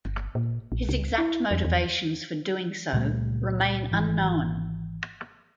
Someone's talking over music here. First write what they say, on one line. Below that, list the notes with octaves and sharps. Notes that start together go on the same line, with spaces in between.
His exact motivations for doing so remain unknown.
G1
A#2
A#1
C#2
E4
F2
E2
C#2 A#2 G3 A3
G#1 E3